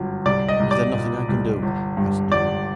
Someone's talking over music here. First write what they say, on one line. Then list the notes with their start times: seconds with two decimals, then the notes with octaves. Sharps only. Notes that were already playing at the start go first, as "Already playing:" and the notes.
'Is there nothing I can do?' asked Newman.
Already playing: G1 F#2
0.25 C2 D5
0.48 D#5
0.60 C2
0.71 D5
0.94 A#2
1.29 C2
1.63 G1
1.97 G2
2.31 G1 D5